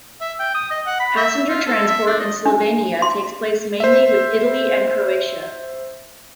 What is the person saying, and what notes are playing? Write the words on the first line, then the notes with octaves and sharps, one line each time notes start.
Passenger transport in Slovenia takes place mainly with Italy and Croatia.
E5
G5
D#6
D#5
F#5
B5
E5
F4
A4
E5
D4
D#5
D4
C6
C5 E5